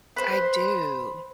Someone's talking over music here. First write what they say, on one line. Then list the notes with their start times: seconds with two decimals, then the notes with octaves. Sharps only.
I do.
0.16 B4 C5